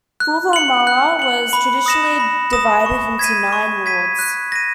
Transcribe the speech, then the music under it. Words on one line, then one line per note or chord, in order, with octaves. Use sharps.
Fuvahmulah was traditionally divided into nine wards.
F#6
C#7 F#7
F#6
C#7 F#7
B5
D#6 A#6 E7
B5
D#6 A#6 E7
C#6
G#6 B6 D#7
C#6
G#6 B6 D#7
F#6
A#6 D#7